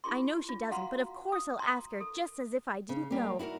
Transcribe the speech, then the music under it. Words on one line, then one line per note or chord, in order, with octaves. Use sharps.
I know she doesn't but of course I'll ask her just as if I didn't know.
E4 F4 G4 G#4 C6
F4
F#4 F5 F#5 A#5 C6
D#6
A#5 C6
A4
C#3
G3 A#3
E4 F#4 G#4 A#4